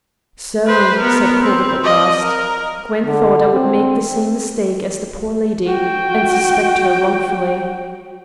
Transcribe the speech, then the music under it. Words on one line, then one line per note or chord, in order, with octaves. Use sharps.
"So," said Corbett at last, "Gwen thought I would make the same mistake as the poor lady, and suspect her wrongfully."
B4 C5
B3 A#4
C4
D5 D#5
A#4
D3
C4
F#4 G5